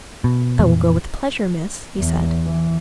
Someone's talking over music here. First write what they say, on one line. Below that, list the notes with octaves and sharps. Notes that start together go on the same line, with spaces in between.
"I will go with pleasure, miss," he said.
B2
F2 A#2 E3
E2
E3